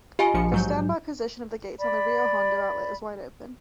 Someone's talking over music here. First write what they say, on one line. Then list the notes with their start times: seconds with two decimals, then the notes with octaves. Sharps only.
The "stand-by" position of the gates on the Rio Hondo outlet is wide open.
0.19 F4 G4 D#5 G#5 B5
0.34 A#1 F3 C#7
0.52 G#2 F#3 G6
1.79 D5 B5